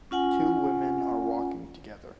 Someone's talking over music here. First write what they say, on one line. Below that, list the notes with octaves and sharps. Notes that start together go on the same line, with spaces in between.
Two women are walking together.
C#4 F4 F#5 G#5